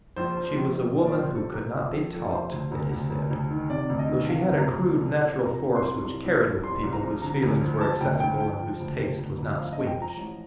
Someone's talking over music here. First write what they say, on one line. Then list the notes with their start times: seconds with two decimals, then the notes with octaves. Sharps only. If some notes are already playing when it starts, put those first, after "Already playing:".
She was a woman who could not be taught, it is said, though she had a crude natural force which carried with people whose feelings were accessible and whose taste was not squeamish.
0.16 A#1 C5
0.37 F3
0.46 C5
0.56 A#1
0.75 A#1
0.95 A#2
1.05 D5
1.15 A#1 C5
1.34 A#1 A4
1.54 A#2 A#4
1.73 F3 C5
1.93 A#1 A4
2.12 A#1 A4
2.32 A#1 C5
2.52 D2
2.71 D2
2.91 D2
3.10 D2
3.31 D2
3.51 D#3
3.70 C3 D5
3.89 D2
3.99 D#5
4.08 D#3
4.29 C3 F5
4.48 D2
4.58 A#5
4.68 D2
4.87 C2
5.06 C2
5.26 F3
5.45 C3 A#5
5.66 C3
5.76 C6
5.86 C2
6.05 C2
6.24 C2
6.44 F3
6.64 C2 C6
6.84 C2
6.93 A#5
7.03 F3
7.22 D3 A#5
7.42 D2
7.61 F3
7.81 F3 A5
8.00 D2 G5
8.20 D3 G5
8.40 F3 G5
8.60 F3
8.80 D2
8.99 D2
9.18 D2
9.38 D2
9.57 F3 F5
9.73 F3 D#5
9.87 G5
9.96 F3
10.02 A#5
10.17 A1